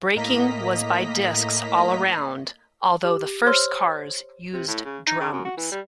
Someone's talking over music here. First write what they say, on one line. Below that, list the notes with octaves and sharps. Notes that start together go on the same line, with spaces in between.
Braking was by discs all around, although the first cars used drums.
A2 A#3 D#5 A#5 B6
G4
C5 C#5 C6 E6 F6
C3
A2
C#3
D#4
C#3
F#2
F#4
E3
G3